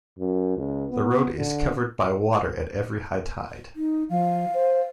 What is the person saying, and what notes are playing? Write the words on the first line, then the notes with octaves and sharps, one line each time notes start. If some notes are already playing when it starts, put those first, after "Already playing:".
The road is covered by water at every high tide.
F#2
C#2
B3
D3
D#4
F3 F5
C5